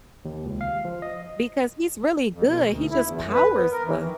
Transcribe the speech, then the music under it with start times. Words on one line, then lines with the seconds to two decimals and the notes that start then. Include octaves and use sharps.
because he's really good. He just powers the
0.25 D#2
0.46 C#2
0.61 F5
0.85 F3
1.02 D#5
2.34 F2
2.47 B2
2.69 D2
2.91 E4
3.05 E2
3.21 F#2
3.34 B4
3.56 B3
3.72 A#4
3.84 E3
4.02 D#3